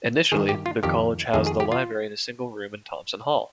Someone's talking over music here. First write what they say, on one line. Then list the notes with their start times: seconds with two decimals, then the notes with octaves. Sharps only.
Initially, the College housed the library in a single room in Thompson Hall.
0.32 G2 D#3 G#4
0.49 G4
0.66 F4
0.83 F2 D#3 G4
1.34 F2 D#3 G#4
1.47 G#4
1.60 G4
1.72 F4